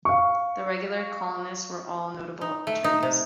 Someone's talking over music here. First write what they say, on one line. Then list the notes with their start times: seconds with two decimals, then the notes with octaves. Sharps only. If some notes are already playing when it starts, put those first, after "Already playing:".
The regular columnists were all notable attorneys.
0.05 F5 C#6
2.41 D#4
2.67 A3
2.84 D#4
3.03 C3